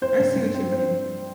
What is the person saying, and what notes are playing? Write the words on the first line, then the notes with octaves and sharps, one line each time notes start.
I see what you mean.
C4 C5
G2
G2
C4
C5